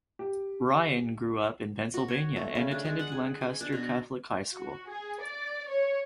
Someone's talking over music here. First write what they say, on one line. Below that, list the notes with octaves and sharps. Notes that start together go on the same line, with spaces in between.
Ryan grew up in Pennsylvania and attended Lancaster Catholic High School.
G4
F#4
C#5
A3
C#3
D4
G#3
F#5
G#4
G#5
D4
B2
F#4
G#4
D5
C#5